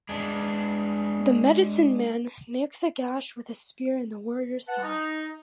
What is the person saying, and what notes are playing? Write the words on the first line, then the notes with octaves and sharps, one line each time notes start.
The medicine-man makes a gash with a spear in the warrior's thigh.
G#3 D4
B4 F#5 A5
D#4